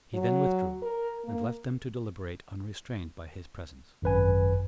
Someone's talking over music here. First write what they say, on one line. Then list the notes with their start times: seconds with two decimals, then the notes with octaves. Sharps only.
He then withdrew, and left them to deliberate unrestrained by his presence.
0.14 F#3
0.82 A#4
1.25 A#3
4.02 G#1 F#2 B4 G#5